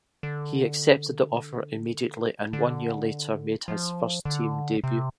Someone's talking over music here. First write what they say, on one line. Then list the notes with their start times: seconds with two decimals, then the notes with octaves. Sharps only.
He accepted the offer immediately and one year later made his first team debut.
0.23 D3
2.53 D3
3.68 F3
4.25 D3
4.84 C3